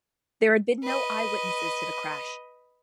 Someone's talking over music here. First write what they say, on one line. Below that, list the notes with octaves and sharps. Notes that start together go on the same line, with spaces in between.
There had been no eyewitnesses to the crash.
B4 D#5